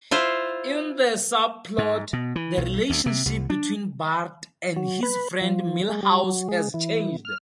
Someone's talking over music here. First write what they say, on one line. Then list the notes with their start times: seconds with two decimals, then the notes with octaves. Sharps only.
In the subplot, the relationship between Bart and his friend Milhouse has changed.
0.11 E4 F4 C5
1.78 G#2
2.13 B2
2.36 E3
2.57 B1
2.90 D2
3.06 C3
3.26 C2
3.50 D4
4.76 F#3
5.03 B4
5.41 F3
5.89 G#3
6.03 G3
6.24 F#3
6.49 G#3
6.74 E3
7.25 F6